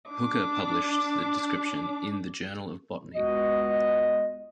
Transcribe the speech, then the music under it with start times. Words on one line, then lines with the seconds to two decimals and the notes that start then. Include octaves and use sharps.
Hooker published the description in "The Journal of Botany".
0.10 D4 D6
3.14 C#2 G#3 B3 F#4 D#5